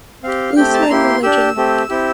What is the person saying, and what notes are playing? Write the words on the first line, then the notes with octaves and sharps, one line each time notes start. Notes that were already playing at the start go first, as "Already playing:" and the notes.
Lutheran religion.
C4 G4 F5
A3 C4 G4 G5
A5
A#5
A#3 E4 G4 C6
D4 G4 E6
A3 C4 G4
C4 E4 G4